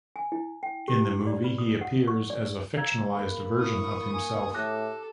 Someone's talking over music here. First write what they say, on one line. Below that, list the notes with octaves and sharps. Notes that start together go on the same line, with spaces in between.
In the movie he appears as a fictionalized version of himself.
G#5
E4
G5
G4
E4
D5
B5
D#6
F#5
C#6
D5
F5 A#5 E6 G#6
A#3 G#4 F5 B5
E4 C#6 D#6
G#5
A2 G4 A4 D6 F#6 A#6